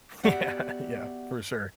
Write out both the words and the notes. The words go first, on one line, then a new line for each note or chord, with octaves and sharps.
Yeah. Yeah. For sure.
B3 F#4 G4 D5 E5 F#5